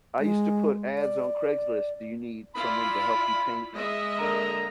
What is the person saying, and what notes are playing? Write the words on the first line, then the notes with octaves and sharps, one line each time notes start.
I used to put ads on Craigslist. Do you need someone to help you paint?
G#3
D5
E4 F4 D5 B5
G#3 D#5 E5
D3 A#3 A#5